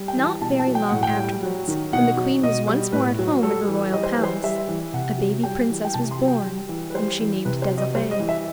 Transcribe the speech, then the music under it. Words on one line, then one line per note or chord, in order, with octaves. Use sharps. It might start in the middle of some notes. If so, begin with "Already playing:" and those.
Not very long afterwards, when the Queen was once more at home in her Royal Palace, a baby Princess was born, whom she named Desiree.
Already playing: G3
G5
E3
A5
B2 A5
A5
F#3
G5
A2 F#5
G5
G3
F#3
D#3
B2 F#5
F#3
B2 D#5
G3
A2 B4
F#3
G3 A4
E3
G3 D#5
C5
E3 B4
C5
G3 E5
E3
C3 F#5
F#3
G3 G5
E3
G5
C3 A5
C6
F#3
G5
G3
E3
B4
G3 C5
E3
C3 B4
C5
F#3
D#5
G3 C5
D#5
E3
E5